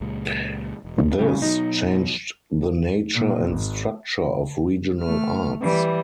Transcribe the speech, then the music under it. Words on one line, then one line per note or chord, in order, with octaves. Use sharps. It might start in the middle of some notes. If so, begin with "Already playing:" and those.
This changed the nature and structure of regional arts.
C#2 A#2 G#3
E1
C#3 G3
B2 F#3 D#4
A#2
G#1
A3 F6
E3 G3